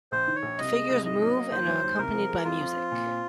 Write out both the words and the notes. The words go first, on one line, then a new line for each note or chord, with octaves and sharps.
The figures move and are accompanied by music.
A#1 C5
D#3
C#5
A#1
C2 D#5
G#3
C2
G#2 D#5
F#3
A#3
D#2 C5
F#3
D#2
C2 A#4
F3
G#3
F2 F4
F3
C4
A#2
C4